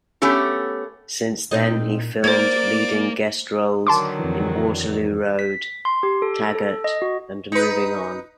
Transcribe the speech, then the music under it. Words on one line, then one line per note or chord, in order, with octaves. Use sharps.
Since then he filmed leading guest roles in "Waterloo Road", "Taggart" and "Moving On".
A3 B3 C#4 G4 A4
A#2 C4 D#4 D#5
A#3 C5 D5 G#6
D3 D#3 F#3 A5 C6 D6
F2 E3
B6
C6
G4
A4
A4
D#5
F#4
D#4 B4